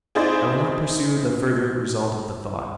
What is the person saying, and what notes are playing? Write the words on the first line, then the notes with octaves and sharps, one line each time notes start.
I will not pursue the further result of the thought.
C4 D#4 E4 G#4 C5 D5